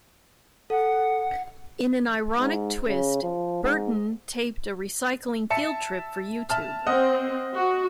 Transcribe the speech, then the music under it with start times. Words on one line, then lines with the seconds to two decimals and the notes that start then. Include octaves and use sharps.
In an ironic twist, Burton taped a recycling field trip for YouTube.
0.70 A4 F#5
2.39 G#2
2.87 C#3
3.23 F3
3.63 G#2
5.50 E5 A5 C#7
6.50 E5 A5 F6
6.87 C4 D#5 F#5
7.56 F#4